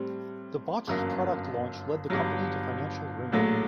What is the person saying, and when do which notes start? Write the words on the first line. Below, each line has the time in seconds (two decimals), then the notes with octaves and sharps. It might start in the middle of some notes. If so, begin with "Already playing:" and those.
The botched product launch led the company to financial ruin.
Already playing: A2 G3 C4
0.87 G1 F#2 F#3 A#3
2.10 G1 G2 F#3
3.32 A#1 A2 F#3 A3